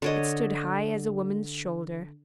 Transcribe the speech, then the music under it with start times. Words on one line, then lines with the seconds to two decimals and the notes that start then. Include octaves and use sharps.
It stood high as a woman's shoulder.
0.02 D3 C#5 D#5